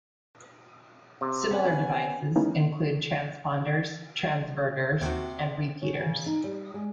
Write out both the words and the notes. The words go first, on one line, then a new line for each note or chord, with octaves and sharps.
Similar devices include transponders, transverters, and repeaters.
C3
B3 C#4 F#5 G#5
G#3 A#3 B3 C#4 D#4 E4
D#2 C3 F#4
C#4
C#3
D#4
G3
G#3